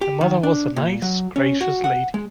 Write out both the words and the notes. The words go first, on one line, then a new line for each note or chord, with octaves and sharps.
The mother was a nice, gracious lady.
G4
D#3
D4
A#2
F#3
C#4
F#4
F#5
G#3